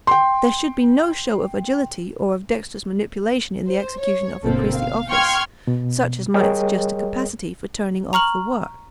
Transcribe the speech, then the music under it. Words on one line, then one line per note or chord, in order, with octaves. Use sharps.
There should be no show of agility or of dexterous manipulation in the execution of the priestly office, such as might suggest a capacity for turning off the work.
G5 C6
C5
C#5
G1 B2 A#3 C4 A4
F5
G5 C6 C#6 F6 G#6
B2
G3 G#4 A#4 C#5 D#5 G5
A#5 C#6 F6 F#7